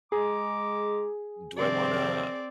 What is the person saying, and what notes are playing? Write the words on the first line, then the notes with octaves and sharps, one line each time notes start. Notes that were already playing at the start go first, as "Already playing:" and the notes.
"Do I wanna
G#3 G#4 A#5 D6
C3 D#3 F3 C4 D5